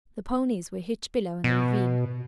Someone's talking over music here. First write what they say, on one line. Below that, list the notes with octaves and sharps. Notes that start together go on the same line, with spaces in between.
The ponies were hitched below in the ravine.
B2